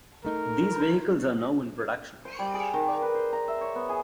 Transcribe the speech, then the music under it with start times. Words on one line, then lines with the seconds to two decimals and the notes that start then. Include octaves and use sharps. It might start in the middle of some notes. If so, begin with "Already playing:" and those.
These vehicles are now in production.
0.25 A3 D#4 A#4
2.25 C5
2.39 G3
2.54 G#4
2.74 D#3
2.87 D5
3.02 B4
3.15 C5
3.33 A#5
3.48 E5
3.61 C#5
3.75 B3
3.89 G#4